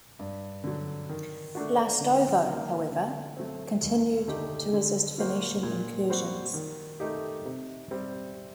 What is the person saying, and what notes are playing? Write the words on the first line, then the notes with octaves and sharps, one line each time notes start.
Lastovo however, continued to resist Venetian incursions.
G2
D3 F#3
D#3
A3 D4 F#4
D3
F#3 A#3 D#4
D3
F#3 A3 C4
D#2
D3 A3 D#4 G4
D3
F#3 A#3 F#4 C5
A#2
G3 C4 F#4 C5
D#3
A3 D#4 G4
C3
G3 C4